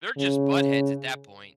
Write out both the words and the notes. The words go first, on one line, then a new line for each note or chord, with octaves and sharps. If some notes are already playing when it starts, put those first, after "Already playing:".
they're just buttheads at that point.
C#3